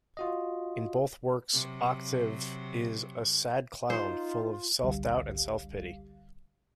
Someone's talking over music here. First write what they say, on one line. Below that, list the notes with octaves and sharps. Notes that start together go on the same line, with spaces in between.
In both works Octave is a "sad clown" full of self-doubt and self-pity.
F4 F#4 D#5
C3 F#3
D#4 F4 C5
G#1 C#2 D3 G3 G4 F5